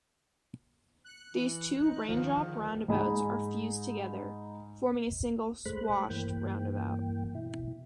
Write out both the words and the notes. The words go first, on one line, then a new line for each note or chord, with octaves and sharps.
These two raindrop roundabouts are fused together, forming a single "squashed" roundabout.
F#6 C#7
E3
D#4
D2 G#2 D#3 F3
G#2 G#3 D#4 D#5 G#5 B5
G#3 A3 C5 B5 F#6
G2 E3 A#3 G5
B2 E4